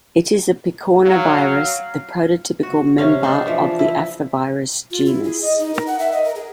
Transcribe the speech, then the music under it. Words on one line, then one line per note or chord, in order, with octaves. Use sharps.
It is a picornavirus, the prototypical member of the "Aphthovirus" genus.
F#3 F5
F#4
C3 C#4 F5
D4 D#4 G#4
E3 F3
E4
F4
E4
G#4
D#5
D#4
A#4
F#5
E5
D#5
A#4
G#4